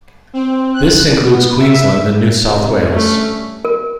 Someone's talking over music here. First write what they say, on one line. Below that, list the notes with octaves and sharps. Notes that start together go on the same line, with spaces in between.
This includes Queensland and New South Wales.
C4
F#6
B3
E5
C3
D2 G3 A3 C#4
A#4